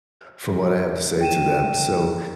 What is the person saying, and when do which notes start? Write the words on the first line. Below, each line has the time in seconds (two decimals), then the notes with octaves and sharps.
from what I have to say to them.” So,
1.21 G5 D#7 E7